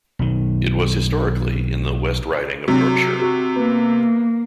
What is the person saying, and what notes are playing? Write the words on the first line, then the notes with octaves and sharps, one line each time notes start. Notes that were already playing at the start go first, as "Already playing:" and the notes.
It was historically in the West Riding of Yorkshire.
B1 D#3
C3 F#3
F#4
A#3 B3